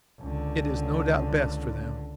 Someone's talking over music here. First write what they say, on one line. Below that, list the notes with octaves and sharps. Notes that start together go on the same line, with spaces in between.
It is no doubt best for them.
C#2 D3